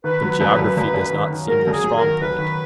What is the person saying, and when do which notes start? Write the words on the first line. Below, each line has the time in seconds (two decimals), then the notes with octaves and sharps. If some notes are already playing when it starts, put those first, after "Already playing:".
"But geography does not seem your strong point."
0.04 D#3 B4
0.22 F#3
0.41 F#2
0.59 F#2
0.77 F#2
0.94 F#2
1.12 D#3
1.30 D#3
1.48 F#3 A#4
1.67 F#2
1.73 G#4
1.84 F#3
1.97 A#4
2.02 D#3
2.21 D#3 B4
2.38 D#3